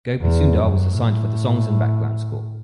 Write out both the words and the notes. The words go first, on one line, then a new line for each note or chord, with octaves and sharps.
Gopi Sundar was assigned for the songs and background score.
E2
F#2
A2